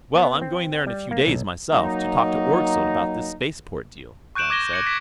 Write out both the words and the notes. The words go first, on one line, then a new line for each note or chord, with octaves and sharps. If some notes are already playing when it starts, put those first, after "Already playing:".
"Well, I'm going there in a few days, myself, to talk to Orgzild about this spaceport deal," Blount said.
B3
C4
G3
A#3
B1
F#3 A#3 D#4
C#6 F#6 G6 D7 E7 F#7
D6 G#6 A#6 G7
C#7 F#7
G#6 B6 E7